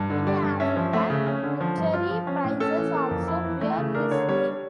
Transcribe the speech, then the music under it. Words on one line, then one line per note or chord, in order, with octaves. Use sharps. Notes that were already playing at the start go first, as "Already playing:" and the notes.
Many African literary prizes also bear his name.
Already playing: G2
D3
G3 D5
G2
C#4 E5
F3
A3 E5
C#3
C#4
D3
F3
G2
F4
F3
C#4
A2
C#4 A4
E3
A#3
F2
E4
E3
A3
C#3
D4 A#4
D3 C#5
G3 C#5